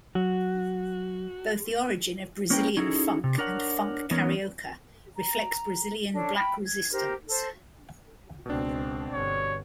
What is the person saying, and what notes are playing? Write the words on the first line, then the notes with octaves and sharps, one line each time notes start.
Both the origin of Brazilian funk and "Funk carioca" reflects Brazilian black resistance.
F#3 F#4
A#3 C#4 E4 A#4 B4 G5
C#4 D#4 E4 F#4 G#4 A4
C3
D4 A#4 C#5 F#5
E3 B3 C#4 D#4 A#4 C#5
A#5
C#4 D4 A4
G5 B5
G#6
G4 A#4 C5
A4 C5
C#2 B2 C4 D4
G1 C#5